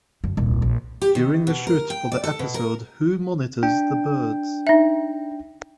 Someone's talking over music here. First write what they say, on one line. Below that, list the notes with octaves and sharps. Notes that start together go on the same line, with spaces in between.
During the shoot for the episode Who Monitors the Birds?
F#2 D3
D#1 C2
A#1
G4
D#3
B2
A#4
G5
D5
A4
B2
A#4
D4 G5
D#4 E5